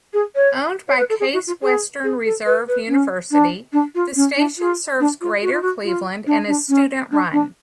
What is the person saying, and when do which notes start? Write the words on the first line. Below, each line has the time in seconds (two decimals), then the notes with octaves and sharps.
Owned by Case Western Reserve University, the station serves Greater Cleveland and is student-run.
0.13 G#4
0.35 C#5
0.88 C#5
0.98 B4
1.09 A4
1.19 G#4
1.33 F#4
1.47 F4
1.61 G#4
2.03 G#4
2.24 A4
2.46 B4
2.68 B4
2.88 C#4
3.31 D4
3.73 D4
3.95 F4
4.16 C#4
4.36 D4
4.58 F4
5.00 D4
5.21 F4
5.42 F#4
5.52 F4
5.61 F#4
5.84 F4
6.26 D4
6.47 D4
6.69 C#4
7.11 D4
7.32 D4